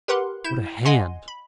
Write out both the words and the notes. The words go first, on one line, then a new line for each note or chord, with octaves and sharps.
What a hand!
G4 A#4 B4 F#5 C6 F#6
E4 G6 E7
D#5 F#5 G#5 C6
B5